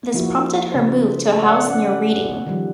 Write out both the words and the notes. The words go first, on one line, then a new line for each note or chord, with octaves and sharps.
This prompted her move to a house near Reading.
F3 A#3 E4 F#4
C#3 B4 C5
A4
D5 F#5
C#4 F#5
D#3 F3 G3